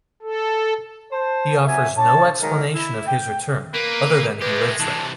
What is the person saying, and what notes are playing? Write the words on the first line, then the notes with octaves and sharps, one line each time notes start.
He offers no explanation of his return, other than he lives there.
A4
C5 A5
C3 F#3 E5 G#5
D4 C#5 A5
D#3 F#3 G#3 A#4
E4
G5
A#3 A#4 B4
G#3 A3 G4 B4
C3 E3 A5